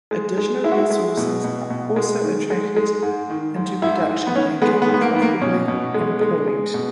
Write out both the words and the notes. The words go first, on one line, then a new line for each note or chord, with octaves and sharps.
Additional resources are also attracted into production and can be profitably employed.
G#3
G#3
G#3 E4
F#4
E4
G#3
B2
B2
B2
G#3
D#3
G#3
G#3
G#2
D#3
G#2
G#2 E4
G#2
B3
D#3 C#4
G#3 B3
B3
G#2
B3
A#3
D#3 B3
A#3
B2 C#4
B2
G#3
G#3
G#3
B2